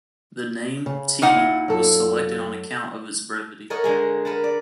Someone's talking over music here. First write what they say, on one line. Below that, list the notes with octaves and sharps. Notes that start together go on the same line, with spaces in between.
The name "Tea" was selected on account of its brevity.
C#3
A#2 D#4 F#5
E4
F#2 A4
A4 A#4 C#5 D#5 F#5
D3 G#3 G#4
A#4 B4 F#5 A5
D5